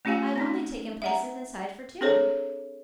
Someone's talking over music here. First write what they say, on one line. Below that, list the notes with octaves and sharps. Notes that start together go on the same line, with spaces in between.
I have only taken places inside for two.'
A3 C#4 F4 G4 F5 G#5
C4 C#4 D#4
E5 F#5 A#5
C4 D4 G#4 A4 C5 C#5